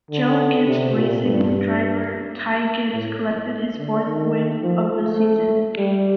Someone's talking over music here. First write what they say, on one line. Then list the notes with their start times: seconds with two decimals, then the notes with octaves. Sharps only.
Joe Gibbs Racing driver Ty Gibbs collected his fourth win of the season.
0.11 D3
0.67 C3
0.95 A#2
1.23 G2
1.52 G2
1.80 G2
2.93 A2
3.79 D3
4.07 D#3
4.63 F3
4.91 A3
5.77 G3